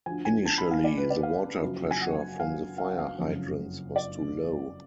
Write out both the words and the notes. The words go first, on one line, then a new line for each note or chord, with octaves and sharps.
Initially, the water pressure from the fire hydrants was too low.
D2 D3 F3 G#5
G#5
A5
B5
F5
D5
B4
D5
F5
F#1 F#2 F3
G#5
F#5
F5
F5
F#5
F5
F#1 F2 C#3 F3
D5